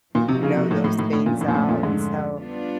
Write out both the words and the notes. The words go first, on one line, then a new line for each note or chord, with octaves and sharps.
you know, those things out, and so,
A#2 F3 A#3 D#4 F#4
C3
C#3
C3
A2
A2
A2
A2
F2 A#2 D3 F3 A3 C#4
A2
A#2
A2
A#2
G#2
G3 B3 D4 F4